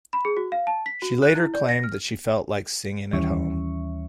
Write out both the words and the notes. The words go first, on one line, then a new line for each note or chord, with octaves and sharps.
She later claimed that she felt like singing at home.
B5
G#4
F#4
F5
A5
B6
F#4
F#6
E4
D5
A#6
F6
D#2 E3 G3 C#4 E5 C#6